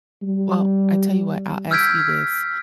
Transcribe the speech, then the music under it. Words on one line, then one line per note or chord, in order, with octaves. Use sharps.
Well, I tell you what. I'll ask you this.
G3
E6 F6 G6 G#6 B6 D7